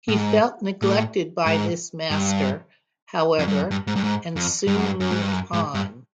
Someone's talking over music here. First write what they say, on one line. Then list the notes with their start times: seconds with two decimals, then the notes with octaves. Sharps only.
He felt neglected by this master, however, and soon moved on.
0.08 A2
0.18 G#2
0.82 A2
1.46 G#2
2.11 G2
3.39 F2
3.48 G2
3.55 F#2
3.71 G2
3.87 G#2
3.96 G2
4.04 G#2
4.36 F2
4.67 G2
4.76 F#2
4.85 G2
5.00 F#2
5.11 G#2
5.21 G2
5.32 F#2
5.53 G#2
5.74 G2